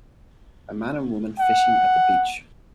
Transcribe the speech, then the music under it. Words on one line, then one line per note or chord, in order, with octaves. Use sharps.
A man and woman fishing at the beach.
F#5